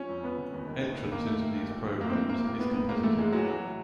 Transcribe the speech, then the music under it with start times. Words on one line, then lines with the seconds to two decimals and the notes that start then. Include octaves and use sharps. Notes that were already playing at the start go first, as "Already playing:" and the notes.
Entrance into these programs is competitive.
Already playing: F3 C#4
0.09 F2
0.23 F2 B3
0.38 G1
0.52 D#2
0.67 D#3
0.82 D#2
0.97 D#2
1.12 D#3 A#3
1.27 D#2 A3
1.42 D#2
1.57 D#2
1.71 A#1
1.86 A#1
2.00 A2 A#3
2.10 C4
2.14 A#1
2.29 A2 A#3
2.45 A2 A#3
2.59 A2 B3
2.73 A2 B3
2.89 G#2 A#3
3.03 A1 A3
3.18 G#2 G#3
3.32 E3 F#3
3.47 A2 F#3